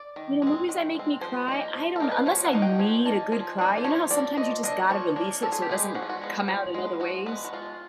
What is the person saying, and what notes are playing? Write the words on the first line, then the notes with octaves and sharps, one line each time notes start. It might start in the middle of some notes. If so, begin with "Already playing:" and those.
you know, movies that make me cry, I don't unless I need a good cry, you know how sometimes you just gotta release it, so it doesn't come out in other ways?
Already playing: D5
D#3
G#3 C4
D#3
G#3 C4
F3 C5
A#3 D#4
F3
A4
A#3 D#4 A#4
B4
C5
F3 C#5
F#5
A#3 D#4
G5
F3 G#5
A#3 D#4 A5
F3 G#5
A#3 D4
C5
F3 C#5
A#3 D4 D5
F3 D#5
A#3 D4 D#5
F3 C#5
A#3 D4
F3 A4
G#4
G4
G#3 B3 G#4
F3 F#4
F4
F#4
G#3 B3
F3
G#3 B3
F3 F#4
G#3 B3
F#4
G#3 F4